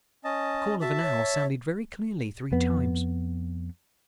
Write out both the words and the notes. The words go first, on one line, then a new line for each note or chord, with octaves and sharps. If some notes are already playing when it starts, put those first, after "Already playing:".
The call of an owl sounded very clearly three times.
C#4 D#5 A5
F#4 E5 A5
C#5
F2 B3